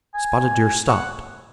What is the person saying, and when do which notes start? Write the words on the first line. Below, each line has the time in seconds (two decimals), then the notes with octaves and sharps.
Spotted Deer stopped.
0.14 G#5
0.89 F#5